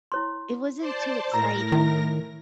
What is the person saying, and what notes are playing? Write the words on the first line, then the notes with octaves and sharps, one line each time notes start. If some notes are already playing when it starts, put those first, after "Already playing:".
it wasn't too exciting.
E4 C#5 C6
C5 D5 A5
A2 A#4 A#5 E6 A#6
D#3 E4 E5